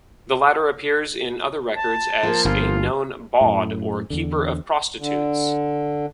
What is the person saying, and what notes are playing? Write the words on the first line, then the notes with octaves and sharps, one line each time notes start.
The latter appears in other records as a known "bawd", or keeper of prostitutes.
A5
F3 A#3
G1 F4
F#2 A2
E2 D3
D3